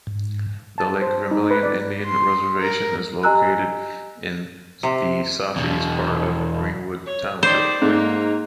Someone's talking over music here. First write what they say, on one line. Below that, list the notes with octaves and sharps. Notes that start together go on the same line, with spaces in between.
The Lake Vermilion Indian Reservation is located in the southeast part of Greenwood Township.
G#2
A5
C5
D#4
B4
D5
C6
A#4
G4 D#5 G#5 A#5 E6 F#6
C3
E2 B2
C#5
D#3 C5 D5
G#2 A#3